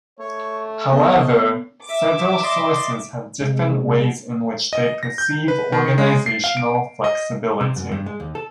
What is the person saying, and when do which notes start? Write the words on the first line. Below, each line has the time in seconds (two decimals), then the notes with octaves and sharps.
However, several sources have different ways in which they perceive organizational flexibility.
0.19 A3 C#5
0.92 B3 D#5
1.86 E5 D6
2.43 D5 D#5 C6
3.41 C3 G#3
4.73 D#5
5.03 A#6
5.18 G6
5.48 B4
5.72 D#3
5.98 G#3
6.26 C7
6.44 F5
6.57 D7
7.04 D#5
7.61 C3
7.76 F#2
7.92 G2
8.06 G#3
8.20 D#2
8.35 A4